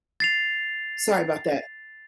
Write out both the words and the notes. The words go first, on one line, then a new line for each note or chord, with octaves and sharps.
sorry about that.
A6 C7 F7